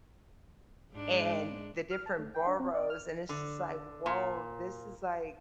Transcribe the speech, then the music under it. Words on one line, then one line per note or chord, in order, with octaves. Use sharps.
and the different boroughs, and it's just like, "Woah, this is like
G#2 G#3 D4
F6
A5
A3
G5
D4
C4
D5
F6
D3
A#2